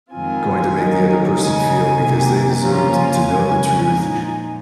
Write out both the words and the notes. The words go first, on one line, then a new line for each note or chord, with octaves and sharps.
going to make the other person feel because they deserved to know the truth.
F2 D#3 G#3 C4 F4 G#5
D#3 F#3 A#3 D#4
C#3 G#3 D#4 G#5
C3 D#3 A#3
C#3 F3 A#3 C#4 F4 A#5
G#5
F#2 C#3 G#3 C#4
A#2 F3 G#3 D#4